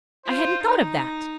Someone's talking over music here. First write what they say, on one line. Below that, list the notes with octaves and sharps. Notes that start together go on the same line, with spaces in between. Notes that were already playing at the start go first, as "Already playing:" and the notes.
I hadn't thought of that.
F4 C5
D#4